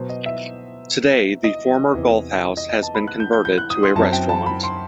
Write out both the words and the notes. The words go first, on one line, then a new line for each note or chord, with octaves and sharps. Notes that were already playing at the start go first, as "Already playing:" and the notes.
Today the former golf house has been converted to a restaurant.
Already playing: B2 F#3 B3 C5
D#5
E5
D#5
E2 C3 E3
D#5
D#5
A5
B5
F#6
G6
G6
G6
F#6
D#6
C6
F#2 F#3 C4 A5
G5
A5
B5
C6